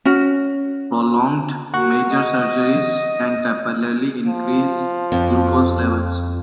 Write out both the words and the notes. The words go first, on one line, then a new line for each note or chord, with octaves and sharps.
Prolonged, major surgeries can temporarily increase glucose levels.
C#4 F#4
A#3 F#4 F#5 C#6 F#6
D#5
F3
F2